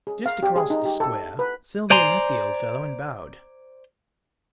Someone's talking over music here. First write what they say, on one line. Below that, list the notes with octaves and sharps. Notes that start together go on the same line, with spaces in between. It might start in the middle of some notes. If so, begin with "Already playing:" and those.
Just across the square Sylvia met the Old Fellow and bowed.
G#4
F5
G4
G#4
D#4
G4
A4
B4
C5 D5 G#5 A#5 C6